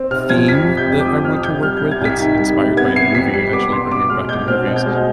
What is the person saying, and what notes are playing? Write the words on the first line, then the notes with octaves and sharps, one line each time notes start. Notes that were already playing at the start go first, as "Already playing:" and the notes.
theme that I want to work with that's inspired by a movie actually bringing back to movies,
Already playing: C4
C3 F6
F3 G#6
F2 B6
C3
G6
F2
D6
F3 D#6
F2 F6
C3 G6
G3 F6
C3 G6
G#6
C2 B6
D#3
G3
C3
B3 G#6
C3 C7
F2 B6
G3 C7
B3 D6
C3 C6
B2 D6
G#3 F6
B2 G6
C4 F6
B2
G6
G#3